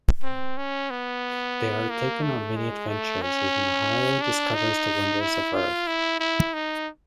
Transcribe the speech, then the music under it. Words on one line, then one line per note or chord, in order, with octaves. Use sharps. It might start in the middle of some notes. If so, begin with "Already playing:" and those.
They are taken on many adventures as Miharu discovers the wonders of Earth.
C4
C#4
B3
A#3
A3
G#3
A3
C#4
D4
D#4
E4
F4
E4
E4
D#4